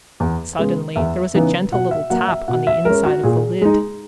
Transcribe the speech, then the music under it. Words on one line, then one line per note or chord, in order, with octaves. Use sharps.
Suddenly there was a gentle little tap on the inside of the lid.
E2
C#3 G#3 B3
E2 E5
C#3 E3 B3 D#4
B2 F#5
E5
F#3 A#3 F#5
E5
B2 F#5
E5
G#3 C#4 A#4
F#4
A#2 G#4
G#3 D#4